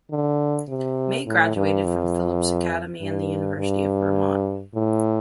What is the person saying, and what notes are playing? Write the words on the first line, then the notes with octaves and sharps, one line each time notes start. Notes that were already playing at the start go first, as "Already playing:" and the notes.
May graduated from Phillips Academy and the University of Vermont.
D3
C3
A2
G2
F2
G2
G2
A2